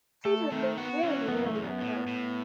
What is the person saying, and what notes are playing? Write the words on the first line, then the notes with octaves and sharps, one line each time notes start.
Seizures may very rarely occur.
A3 A4
D#3 A3
B3 F#4
E3 C#4
F#2 B3
A3
F#2
B3
A2
A2